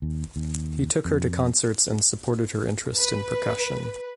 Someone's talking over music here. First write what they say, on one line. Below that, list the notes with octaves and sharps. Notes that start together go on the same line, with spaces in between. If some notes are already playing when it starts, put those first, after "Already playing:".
He took her to concerts and supported her interest in percussion.
D#2
D#2
F2
B4